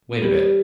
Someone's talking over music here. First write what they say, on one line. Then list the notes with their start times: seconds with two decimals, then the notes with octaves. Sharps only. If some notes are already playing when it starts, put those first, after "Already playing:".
Wait a bit....
0.22 G3